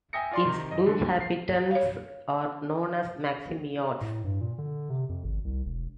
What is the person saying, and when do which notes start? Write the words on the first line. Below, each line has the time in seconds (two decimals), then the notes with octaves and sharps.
Its inhabitants are known as "Meximiards".
0.13 E5 G5 G#5 D#6 A#6 C#7
0.31 F4 D5 C6
0.45 C3 D#3
0.71 F#2 D#5
0.86 D3
1.20 C7
1.71 C#5 F5
4.01 A2
4.24 G2
4.41 A#2
4.58 D3
4.89 C3
5.09 F2
5.24 G#1
5.45 C2
5.65 E1